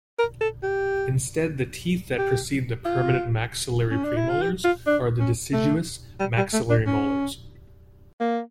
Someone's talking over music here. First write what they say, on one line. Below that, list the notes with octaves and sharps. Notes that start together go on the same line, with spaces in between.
Instead, the teeth that precede the permanent maxillary premolars are the deciduous maxillary molars.
A#4
A4
G4
G4
F4
C#4
D4
E4
F4
G4
F4
D4
C#4
A3
G3
G3
A3
D4
C#4
A#3